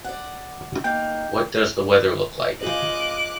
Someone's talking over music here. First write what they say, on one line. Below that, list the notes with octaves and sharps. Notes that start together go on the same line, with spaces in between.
What does the weather look like?
D5 F#5
A#3 D#4 G5
F4 G#4 C5 D#5 D6 F#6